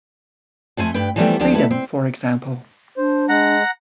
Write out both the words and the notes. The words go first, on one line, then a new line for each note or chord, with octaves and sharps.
Freedom, for example.
F2 F3 A3 G#5
G2 B4 G5
E3 F3 G3 A3 B3 C4
D2 F3 D4 G4
A3 E4 B4
C4
D4 C5
G#3 F#5 A#5